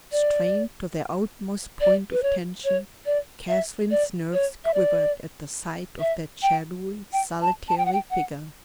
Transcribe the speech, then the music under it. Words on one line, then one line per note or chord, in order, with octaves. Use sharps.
Strained to their utmost point of tension, Catherine's nerves quivered at the sight of that shadowy solitary figure.
D5
D5
B4
C#5
C#5
D5
E5
D5
C#5
E5
D5
E5
G5
G5
A5
A5
G5
F#5
G5
F#5